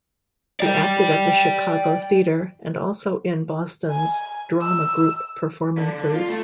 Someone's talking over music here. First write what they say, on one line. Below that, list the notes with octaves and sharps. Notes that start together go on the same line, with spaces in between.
He acted at the Chicago Theater and also in Boston's Drama Group performances.
D5 G5
G#5
E6
D3
D3
F4
A3